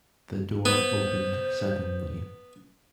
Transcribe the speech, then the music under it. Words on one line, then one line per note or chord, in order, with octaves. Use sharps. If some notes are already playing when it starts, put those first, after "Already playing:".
The door opened suddenly.
B3 C5